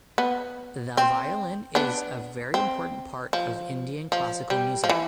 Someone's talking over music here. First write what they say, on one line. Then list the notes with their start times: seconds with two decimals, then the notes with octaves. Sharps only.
The violin is a very important part of Indian classical music.
0.18 B3
0.97 C4
1.75 B3 D4
2.54 C4
3.33 F3
4.12 F3
4.50 G3
4.84 F3
4.90 E3